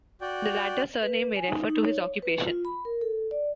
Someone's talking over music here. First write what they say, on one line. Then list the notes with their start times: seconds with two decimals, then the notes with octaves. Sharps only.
The latter surname may refer to his occupation.
0.21 F#4 D5 G5
1.03 B4
1.36 G#5
1.48 D#4
1.69 D#4
1.84 C#5
2.22 B4
2.45 F4
2.65 B5
2.85 A#4
3.01 A4
3.31 D5